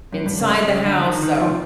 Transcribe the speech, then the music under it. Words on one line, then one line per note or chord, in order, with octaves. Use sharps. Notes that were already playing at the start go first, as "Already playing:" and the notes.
inside the house, so,
F#2
G2
C#3
C#3
D3
D#3
D#3
F3